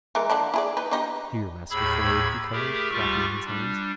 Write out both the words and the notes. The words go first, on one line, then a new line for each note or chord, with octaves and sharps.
"Here, Master Ford," he called, clapping his hands.
E3 G#3 A#4
D3 F3 D4
E4 G#4 D5
D#4 B4
D4 D#4 G4
D#2 A2 G#4 B5 E6 G#6
A3 G4 G#4 A#4
D2 G3 F4 G4 C#6
G3 D4